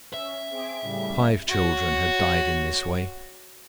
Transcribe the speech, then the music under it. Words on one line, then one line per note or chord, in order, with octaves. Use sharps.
Five children had died in this way.
C#4 E5
C4 G#4 D6
A2 C#3 G3
F#4 C#5